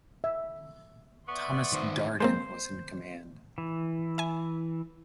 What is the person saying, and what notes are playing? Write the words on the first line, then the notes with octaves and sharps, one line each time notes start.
Thomas Darden was in command.
E5
B3 D5 E5 C6 C#6
D#3 C5
G#3 A#3 C4 C5
E3
E5 G#5